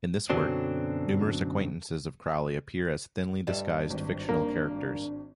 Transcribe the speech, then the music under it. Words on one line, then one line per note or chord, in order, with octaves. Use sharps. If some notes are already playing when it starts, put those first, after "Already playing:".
In this work, numerous acquaintances of Crowley appear as thinly disguised fictional characters.
F#2 B2 D3 F#3 C4 D4
G2 G3 E5
G#1
A#3 D4